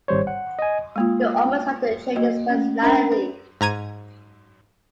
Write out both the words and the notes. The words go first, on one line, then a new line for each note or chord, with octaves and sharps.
You almost have to change his personality.
G#1 G3 C5 C#5
F#5
D#5 G#5
G#3 A#3 F4
G5
A#3 F#4 D#5
A3 C#4
C#4 D4 A#4 E5 A#5 B5
B4
G#2 A#5 G#6 D#7